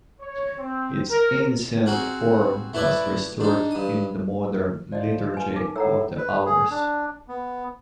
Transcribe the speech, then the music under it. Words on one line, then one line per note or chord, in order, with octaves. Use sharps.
Its ancient form was restored in the modern Liturgy of the Hours.
C#5
C4
A#4
C4 F#4 G#4 A#4 F#5
A3 E4 B4 D5 E5
D4 D#4
G2 D#6
F3 D5 D#5
B4 G#5
D#4 A#4 D6
A2 F#5 A#5 E6
B4
G#4
D4
B3